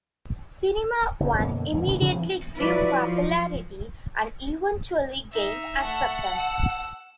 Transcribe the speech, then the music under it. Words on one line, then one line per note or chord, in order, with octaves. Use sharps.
Cinema One immediately grew popularity and eventually gained acceptance.
F#1 F#2
F#2 B2 D3 A#3
E2 G#2
A#2 C#3 E3 D4
D2 C3 D#3 F3
E3 C4
F3 F#3 E4 F#4 B4 D5
F3
D#4 E5
A3 E5 F#5 A5
E6